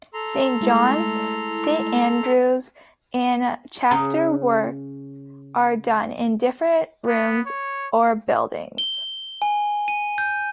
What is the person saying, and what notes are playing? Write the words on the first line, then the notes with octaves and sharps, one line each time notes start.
Saint John's, Saint Andrews and Chapter work are done in different rooms or buildings.
A4 A#5 C6
G#3 A3 E4
C#3 A#5
B3
C#5
G7
G#5
D#7
G6